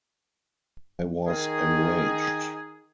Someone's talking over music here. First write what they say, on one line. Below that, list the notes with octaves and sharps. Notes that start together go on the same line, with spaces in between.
I was enraged.
D#3 G#4